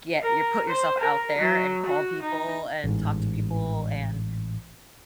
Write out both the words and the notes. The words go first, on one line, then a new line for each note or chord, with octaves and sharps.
get your put yourself out there and call people and talk to people and
A#4
C5
A#4
F#3
F#4
D#4
A1 G#2